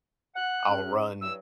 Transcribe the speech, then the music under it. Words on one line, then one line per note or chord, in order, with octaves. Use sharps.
I'll run
F#5 F#6
C#3 C#4
G2 E3 F#3 E6